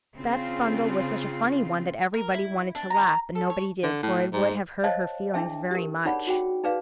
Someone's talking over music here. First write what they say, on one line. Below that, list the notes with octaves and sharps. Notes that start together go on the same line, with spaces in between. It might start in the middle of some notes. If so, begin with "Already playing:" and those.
Beth's bundle was such a funny one that everybody wanted to laugh, but nobody did, for it would have hurt her feelings very much.
C#3 C4 F4
A#4
E4
D4
A#5
A4
C#5
D3
A2
G#2
C5 C#5 D#5 F5 A5
D4 E4 G#4 E5 G5 A5
G4 A#4
D#4 G#4 C#5 D5 F#5 B5
F#4 G#4 G5
D#4 G#4 B4 D5 F5